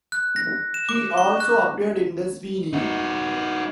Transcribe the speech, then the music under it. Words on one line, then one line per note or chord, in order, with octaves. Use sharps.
He also appeared in "The Sweeney".
F#6
A#6
E7
D6
C#6
F#6
D#4 F#4